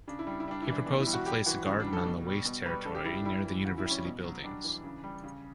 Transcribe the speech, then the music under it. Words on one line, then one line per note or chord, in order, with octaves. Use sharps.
He proposed to place the garden on the waste territory near the university buildings.
C#3 D4
E4
G3 D4
E4
G3 D4
E4
E3 D4
B2 D4
E4
G3
F#4
G3 G4
E3 F#4
C#3 F#4
D4
G3
A4
B2
G3
B2
G3 B4
C#3 A4
G4
G3 E4
D4
G3 E4
E3
C#3 F#4
E4
G3
C#4
B2
F#3
G3 D4
E3
C#3
G3
C#3